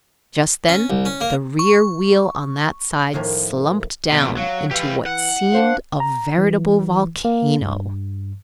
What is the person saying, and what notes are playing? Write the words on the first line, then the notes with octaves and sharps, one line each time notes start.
Just then the rear wheel on that side slumped down into what seemed a veritable volcano.
C#4
C2
C#4
A#3
C#6
A2 D#3 F3 A#3
E2 G2 B2
F#3 F5
E3 G4 F5
F#5
D4 C5 F5
A#5
E3
A#3
G2